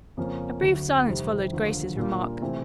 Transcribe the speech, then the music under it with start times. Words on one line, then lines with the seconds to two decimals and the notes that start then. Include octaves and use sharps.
A brief silence followed Grace's remark.
0.17 F2 C#3 F3 A#3 C#4
0.62 D2 D3 F#3
1.07 F2 C3 D#3 G3
1.52 D#2 D3 F3
1.96 A#2 G3 A#3 D4 F4
2.42 C3 E3 A3 C4 E4